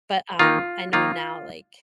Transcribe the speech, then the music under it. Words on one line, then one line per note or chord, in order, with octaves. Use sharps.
but, um, I know now, like
D#3 A#3 D#4 F4
D#3 A#3 D#4 F4